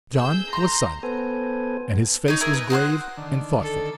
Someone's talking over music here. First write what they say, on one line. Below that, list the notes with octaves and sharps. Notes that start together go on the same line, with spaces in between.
John was silent, and his face was grave and thoughtful.
G#4 E6 G6
A#5 C6
B3 A4 B4 C5 G#5
C#4 D#4
G#4 A#4 E5
B4
D#4 F#4 C5 F#6
D3 D#3 D4
A4